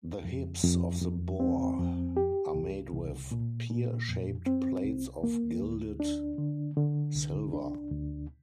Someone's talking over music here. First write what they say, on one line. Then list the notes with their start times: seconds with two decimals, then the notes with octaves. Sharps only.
The hips of the boar are made with pear shaped plates of gilded silver.
0.25 F2
0.63 F2
1.02 F2
1.40 C4
1.79 F2
2.17 G4
2.55 C2
2.93 C2
3.31 A#2
3.70 A#2
4.09 F2
4.46 C4
4.85 C2
5.24 A#3
5.62 D2
6.00 D4
6.38 D3
6.77 D3
7.15 C2
7.53 D4
7.92 D2